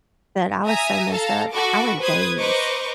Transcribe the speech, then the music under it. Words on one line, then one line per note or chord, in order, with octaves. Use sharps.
that I was so messed up, I went days,
E5 G#5 A#5 D#6
A4 F5 A5 A#5
F#4 A4 B5 C#6 D6
B4 C5 D#6 G#6
B4 C5 D#5 A#5 C#6 D6